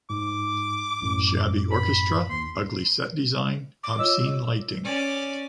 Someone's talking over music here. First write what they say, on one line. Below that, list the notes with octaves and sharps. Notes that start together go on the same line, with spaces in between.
Shabby orchestra, ugly set design, obscene lighting.
G#2 D6
A1 F#2 A2
B5
D#2 C6
D6
F4 C#5 D#5 E6
C#4 D5